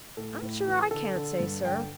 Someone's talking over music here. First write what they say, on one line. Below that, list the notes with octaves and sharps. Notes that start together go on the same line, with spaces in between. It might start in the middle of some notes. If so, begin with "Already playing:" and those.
'I'm sure I can't say, sir.
A2 A4
A2
E3
D3 A4
D3
G2
D3 G5